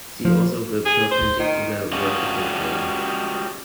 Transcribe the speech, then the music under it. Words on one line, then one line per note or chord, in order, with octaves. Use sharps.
See also the perpendicular vertical plane.
F3
G#4
C5
D#3
G3 G#3 C#4 F4 F#4 G#4